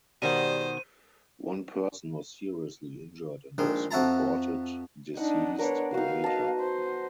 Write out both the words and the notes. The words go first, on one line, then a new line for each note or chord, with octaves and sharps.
One person was seriously injured and was reported deceased later.
B2 D#3 G3 C5 F#5 D#7
A#1 D#3 G#3
F2 F#4 E5 A5 A#5
D4 D#4 F#5
B3 D4 A#4 C#5
D#4 F#4 F5
D#5 A5
C5